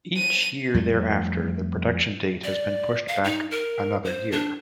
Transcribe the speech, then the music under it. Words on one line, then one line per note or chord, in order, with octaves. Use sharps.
Each year thereafter the production date has been pushed back another year.
D#7
F2 G3 A3
D5
F5
D#4
A#4
C5
D4